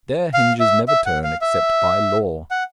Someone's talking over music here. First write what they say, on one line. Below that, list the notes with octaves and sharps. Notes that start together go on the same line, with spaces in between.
Their hinges never turn except by law.
F5
E5
E5
F#5
F5
E5
F#5